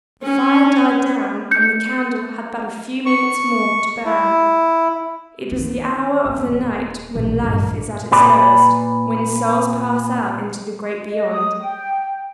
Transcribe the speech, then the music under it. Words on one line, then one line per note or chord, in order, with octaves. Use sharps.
The fire died down and the candle had but a few minutes more to burn. It was the hour of the night when life is at its lowest--when souls pass out into the great Beyond.
C#4
G6 C#7
C#6
E4
D#3
F#1
D#1
A#1
A#1 G2
A#2 B4 D5
D#5
D#6
G5